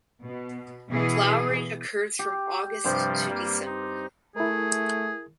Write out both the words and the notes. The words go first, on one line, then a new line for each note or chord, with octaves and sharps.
Flowering occurs from August to December.
B2
B2 E3 G#4
G4
G2 C3 F3 G3 C4 C5
G3 A#3
D#4
A3 E4 G#4 A#4